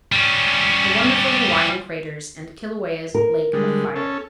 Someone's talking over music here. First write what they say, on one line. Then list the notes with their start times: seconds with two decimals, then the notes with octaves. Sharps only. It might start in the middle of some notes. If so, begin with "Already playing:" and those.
The Wonderful Hawaiian Craters and Kilauea's Lake of Fire.
0.12 G3 C#4
3.15 A#4
3.53 D3 G3 G#3
3.95 C#4 A4